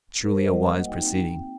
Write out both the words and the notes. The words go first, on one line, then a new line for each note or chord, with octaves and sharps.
Truly a wise proceeding!
G3 A#4
C5
F#4
D#5
F#4 F#5
A#3
D#4 G5
C4
C4
F#4